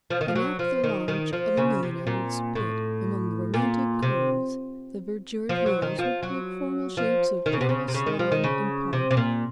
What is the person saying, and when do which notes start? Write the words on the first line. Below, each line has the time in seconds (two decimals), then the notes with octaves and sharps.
The naphtha launch of the millionaire would spit among the romantic coves; the verdured hills would take formal shapes of terrace, lawn, and park.
0.10 F3
0.21 D#3
0.28 F3
0.35 F#3
0.59 F3
0.84 D#3
1.08 D#3
1.33 F3
1.57 C#3
1.83 C3
2.07 A#2
2.55 A2
3.54 A#2
4.03 C3
5.49 F3
5.66 F#3
5.82 D#3
5.99 F3
6.23 F#3
6.97 F3
7.46 D#3
7.53 C#3
7.61 C3
7.69 C#3
7.88 C3
7.94 C#3
8.06 D#3
8.19 F3
8.32 D#3
8.44 C#3
8.93 C3
9.11 C3
9.17 A#2